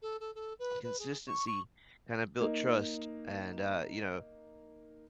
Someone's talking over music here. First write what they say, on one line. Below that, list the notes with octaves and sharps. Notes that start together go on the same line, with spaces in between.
consistency kinda built trust and, uh, you know,
A4
A4
A4
B4
B4
G#4
C#6
C#6
A#3 D#4